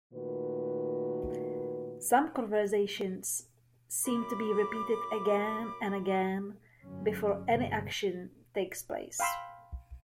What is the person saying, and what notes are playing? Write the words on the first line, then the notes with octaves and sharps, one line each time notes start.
Some conversations seem to be repeated again and again, before any action takes place.
A#2 D#3 A3 F#4 B4
F#2 B5 D6
G1 F#2 C#4
G1 C3 G#3
F5 G5 B5 C6 E6